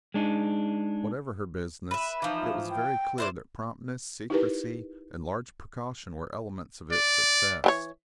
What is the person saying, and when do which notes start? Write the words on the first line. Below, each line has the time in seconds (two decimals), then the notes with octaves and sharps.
Whatever her business, it was very clear that promptness, secrecy, and large precaution were elements of its success.
0.14 G#3 D4 D#4
1.91 B4 E5
2.22 E3 F3 D#4
2.50 D#4
2.69 G5
3.18 E4 C5 D5
4.30 D#4 E4 G4 A#4 B4
6.92 D5
7.64 E3 G4 C#5